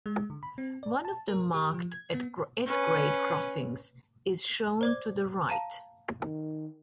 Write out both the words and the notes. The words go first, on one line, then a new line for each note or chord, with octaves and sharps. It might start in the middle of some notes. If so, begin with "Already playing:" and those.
One of the marked at-grade crossings is shown to the right.
G#3
D3
B5
C4
D5
A5
A#4
G4
F3
G#6
B3
C#4 B4
C5 D5 D6
F5 A5 A#5
D#3